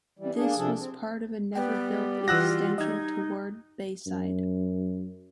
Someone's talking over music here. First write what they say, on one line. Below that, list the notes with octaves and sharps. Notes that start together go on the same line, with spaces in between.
This was part of a never-built extension toward Bayside.
E3 G3
A#3 D4 G#4
C3 F3 D4 G#4 A4
C4
G3 B3 G5
E3 F4 F#4 E6 F#6 A#6
D#4 D#5 G#6
F#2